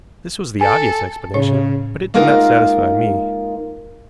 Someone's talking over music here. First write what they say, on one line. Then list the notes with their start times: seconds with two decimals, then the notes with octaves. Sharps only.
This was the obvious explanation, but it did not satisfy me.
0.61 A4 G#5
1.34 A2 C#3 C#5
2.14 G#3 A#3 D#4 F4 A#4 F#5